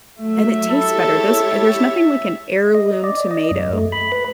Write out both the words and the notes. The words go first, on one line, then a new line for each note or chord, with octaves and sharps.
And it tastes better. Those there's nothing like an heirloom tomato.
F#3 A3 E5
G#3 E4 G4 A4 C#5 A6
D#5
D5
D#5
F#2
A3
B5
B4